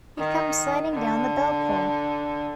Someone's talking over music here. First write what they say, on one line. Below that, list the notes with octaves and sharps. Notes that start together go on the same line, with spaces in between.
He comes sliding down the bell-pull.
D#3
D3